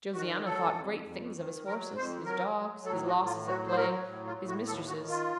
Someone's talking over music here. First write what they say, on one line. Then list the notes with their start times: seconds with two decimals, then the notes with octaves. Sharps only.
Josiana thought great things of his horses, his dogs, his losses at play, his mistresses.
0.14 D#3 F#4
0.44 F#3 A4
0.74 F2
1.05 F2
1.35 D#3
1.65 F#3 A#4
1.96 F2 C5
2.25 F#3 A#4
2.57 F#3
2.86 A2 A4
3.07 F#4
3.16 A2
3.26 F4
3.47 F#3 F#4
3.67 C5
3.77 F#3 A#4
4.07 A2
4.27 F4
4.38 A2
4.48 F#4
4.67 D#2 A4
4.88 F#4
4.97 D#3
5.08 F4